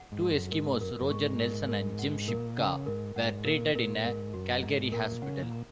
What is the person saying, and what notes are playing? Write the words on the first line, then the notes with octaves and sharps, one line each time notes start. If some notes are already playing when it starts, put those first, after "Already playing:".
Two Eskimos, Roger Nelson and Jim Shipka, were treated in a Calgary hospital.
Already playing: F#5
G#2
F#4
F#2
G#2 A#4
F#2 A#4
F#2
G#2 C#6
A#4
A#4
F#5
A#2 A#4
C#3 F#5
G#2 A#4
G#2 F#5
A#2 A#4
A#2 A#4
G#2 A#4
F#2 F#4
G#2 A#5
A#2 A#4
C#3 F#5
A#2
A#5